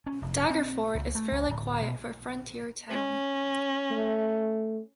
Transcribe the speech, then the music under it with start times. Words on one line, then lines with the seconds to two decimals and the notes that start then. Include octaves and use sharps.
Daggerford is fairly quiet for a frontier town.
0.07 C#4
0.22 F1
0.50 C4
0.95 C#2
1.15 A3
1.32 C#2
1.49 D1
1.81 B2
2.90 C#4
3.91 A3